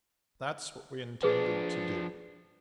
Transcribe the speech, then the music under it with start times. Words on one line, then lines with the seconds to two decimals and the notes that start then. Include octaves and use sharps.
That's what we intended to do.
1.23 F3 D4 G#4 B4